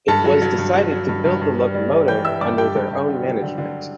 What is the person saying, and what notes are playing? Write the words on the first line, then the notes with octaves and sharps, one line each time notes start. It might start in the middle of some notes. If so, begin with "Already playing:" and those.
It was decided to build the locomotive under their own management.
G2 A4 A5
F#3
F#3
G2
F#3
F#3
G2
G2
G2
G3
G3
G3
E3 G5 G6
G3 E5 E6
G2 D5 D6
G2 G4 G5
G2
G2
D3
F#3
D3
D3